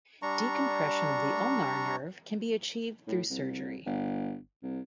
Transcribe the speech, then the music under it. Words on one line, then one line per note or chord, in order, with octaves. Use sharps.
Decompression of the ulnar nerve can be achieved through surgery.
G3 D4 A#5 C#6
A2
C2
G1
C2